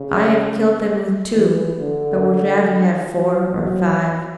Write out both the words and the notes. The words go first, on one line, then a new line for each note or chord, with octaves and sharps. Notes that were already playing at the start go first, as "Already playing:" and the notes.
I have killed them with two, but would rather have four or five.
Already playing: C#3
E3
D3
F#3
F#3